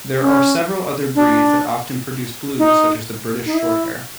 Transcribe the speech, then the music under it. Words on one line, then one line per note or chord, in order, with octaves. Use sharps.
There are several other breeds that often produce blues such as the British Shorthair.
C#4
D4
D#4
D#4
E4